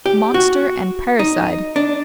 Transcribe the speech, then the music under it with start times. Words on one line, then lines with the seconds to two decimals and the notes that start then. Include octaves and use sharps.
Monster and parricide!
0.06 G4
0.34 F#4
1.19 D#4
1.76 D4